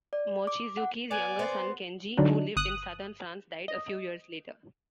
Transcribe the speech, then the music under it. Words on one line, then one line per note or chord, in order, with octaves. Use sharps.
Mochizuki's younger son Kenji, who lived in southern France, died a few years later.
D5
D6
F#5
B3 D5 G#5
B3 C4 C5
D3 F#3 D4 D#4
G1 D#6 F#6
D#5